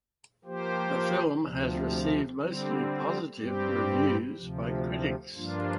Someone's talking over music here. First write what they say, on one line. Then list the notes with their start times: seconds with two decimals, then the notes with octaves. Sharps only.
The film has received mostly positive reviews by critics.
0.44 F3 A#3 G4 C5
1.42 D2 C3 F3
2.40 D3 G3 C4
3.38 G2 G3 C4 G4
4.36 D2 C3 F3
5.34 G2 F3 A#3 D4 F4